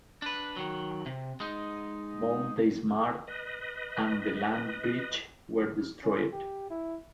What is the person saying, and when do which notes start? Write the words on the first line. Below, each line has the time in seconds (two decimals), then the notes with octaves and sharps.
Mount Deismaar and the land bridge were destroyed.
0.22 D4 B4
0.56 D#3 F#3
1.06 C3
1.40 G#3 D#4
3.27 B4 D#5
6.03 C#4
6.32 G4
6.70 E4